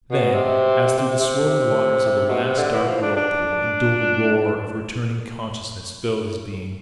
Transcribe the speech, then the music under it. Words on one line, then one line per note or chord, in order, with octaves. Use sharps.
Then, as through the swirling waters of the last dark whirlpool, a dulled roar of returning consciousness filled his being.
B2
C3
C3
C3
B2
C3
D3
E3
F3
D4
D4